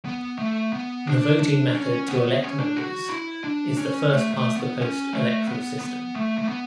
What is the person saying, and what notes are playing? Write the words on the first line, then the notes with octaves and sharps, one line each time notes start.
The voting method to elect members is the First Past the Post electoral system.
B3
A3
B3
D4
D4
C#4
B3
B3
C#4
D4
F#4
E4
D4
C#4
A3
A3
B3
C#4
A3
B3
B3
A3
A3
B3